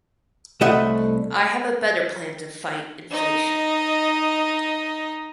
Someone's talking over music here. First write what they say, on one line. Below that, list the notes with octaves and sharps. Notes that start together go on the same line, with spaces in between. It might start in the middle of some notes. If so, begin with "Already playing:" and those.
I have a better plan to fight inflation.
C2 A3 D#5 E5 F#5
D#4 D#5